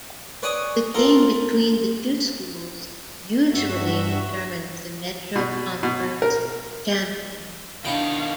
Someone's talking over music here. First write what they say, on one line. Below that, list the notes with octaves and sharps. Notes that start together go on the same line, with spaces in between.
The game between the two schools usually determines the Metro Conference champion.
B4 C#5 D5 G#5 D#6
F4 A4 A#4
G2 F#4 E5
B2
B2
A#4
B2 D#3 D4 E4 F5 G5